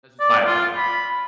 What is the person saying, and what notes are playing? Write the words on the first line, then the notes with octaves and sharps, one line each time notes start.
That's just my opinion.
D5
F4
B5